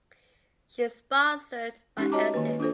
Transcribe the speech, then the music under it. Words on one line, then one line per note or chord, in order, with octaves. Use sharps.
She is sponsored by Asics.
G#3 C#4 D#4 G4
F#4 C#5 D#5 A5 A#5 D6
D#3 A#3 B4
B4
D4 F4 A4 C5